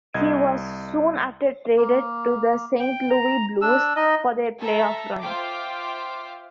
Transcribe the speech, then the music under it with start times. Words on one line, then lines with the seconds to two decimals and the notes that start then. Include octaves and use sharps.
He was soon after traded to the Saint Louis Blues for their playoff run.
0.14 C2 D#5 G#6
1.77 A#3
2.80 G5
3.10 A#5
3.62 D4 E6
3.96 D#4 D#5
4.59 A4 E5 A#5
5.21 F4 C5 E5 F5 G5 D6